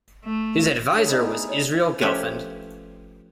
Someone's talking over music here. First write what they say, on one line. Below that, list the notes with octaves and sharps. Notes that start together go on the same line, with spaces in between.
His adviser was Israel Gelfand.
A3
D4 C#5
D#4 E4 G#4 D5 D#5 B5
A3 B3
C#5 D5
D#5
F3 A3 C#4 G4 B4 C#5